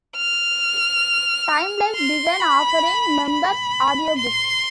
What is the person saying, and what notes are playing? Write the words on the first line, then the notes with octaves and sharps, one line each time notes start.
Time-Life began offering members audiobooks.
F6
C6
B5
B5
C6